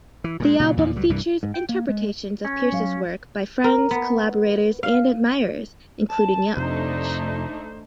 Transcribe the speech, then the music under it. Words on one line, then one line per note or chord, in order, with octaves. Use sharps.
The album features interpretations of Pierce's work by friends, collaborators, and admirers, including Lunch.
E3
A#2 F#3 G#3
A#2 C#3 F3 F#3
E2 A#2 F3
C#2 F#3 G3
C2 G2 E3 G3
G#2
G5
A#3
G#3
C#4
F#3 F5
A#4
B3
F5
A5
F2 C3 A3 D4 D#4 C5